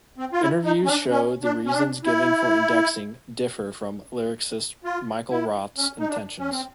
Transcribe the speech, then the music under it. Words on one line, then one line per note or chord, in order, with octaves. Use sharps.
Interviews show the reasons giving for indexing differ from lyricist Michael Roth's intentions.
C4
F4
E4
D#4
C#4
D4
C#4
D4
C#4
D4
E4
F4
E4
C#4
D#4
D4
C#4
C4